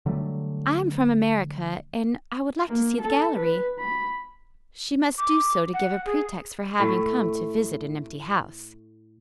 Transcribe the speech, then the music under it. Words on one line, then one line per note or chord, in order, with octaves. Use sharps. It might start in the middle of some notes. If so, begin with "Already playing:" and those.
"I am from America, and I would like to see the gallery." She must do so to give a pretext for having come to visit an empty house.
D3 F#3 G3 A3
A#3
A4
B4
B5
D6
F#5
G#4
A2 A3